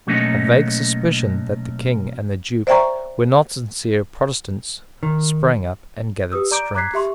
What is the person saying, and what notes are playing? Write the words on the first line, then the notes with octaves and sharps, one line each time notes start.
A vague suspicion that the King and the Duke were not sincere Protestants sprang up and gathered strength.
B2 F#3 A3 A#3 C#4 D#4
C5 D5 E5 G5 A#5 C#6
D#3
G4 B4 D#6 E6
D5 A#5 D6 G6 D7
A#5 D6 F#6 G#6 B6 C7
G4 E5 C6 C#6